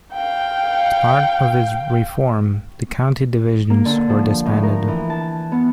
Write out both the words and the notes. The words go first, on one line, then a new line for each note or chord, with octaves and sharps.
As part of this reform, the County Divisions were disbanded.
F5 G5
A#3
D3
F3
A2
A#4
E3
A5
B3